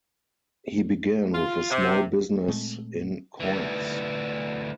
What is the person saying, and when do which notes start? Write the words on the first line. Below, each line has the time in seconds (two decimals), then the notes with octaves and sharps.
He began with a small business in coins.
1.34 F4
1.71 C3
2.48 A#2 G#3 A3 C4
3.40 D2 E3